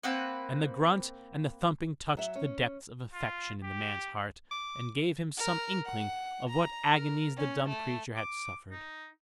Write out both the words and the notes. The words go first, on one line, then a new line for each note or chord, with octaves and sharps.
And the grunt and the thumping touched the depth of affection in the man's heart, and gave him some inkling of what agonies the dumb creature had suffered.
A#3 C4 B4 F#5
F#3 E5
C#4
F4
G4
D6
A#4
F#5
A#5
A#4
C#4
A3
D6
D#4